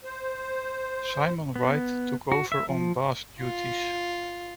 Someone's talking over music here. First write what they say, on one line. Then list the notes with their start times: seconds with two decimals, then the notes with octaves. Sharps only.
Simon Wright took over on bass duties.
0.04 C5
1.56 B3
2.32 F#4
2.52 E5
2.69 F3
3.40 F4